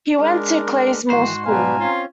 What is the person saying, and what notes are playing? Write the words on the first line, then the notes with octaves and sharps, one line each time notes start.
He went to Clayesmore School.
G#3 D4 A#4
G#2 D#3 E3 F#4 C5
B2 G3 B4 F5 G#5 A#5
C4 C#4 F4 C#5